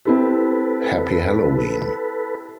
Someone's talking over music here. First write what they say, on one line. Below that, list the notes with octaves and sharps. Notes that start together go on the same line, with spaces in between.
Happy Halloween!
C4 E4 G4 A4 B4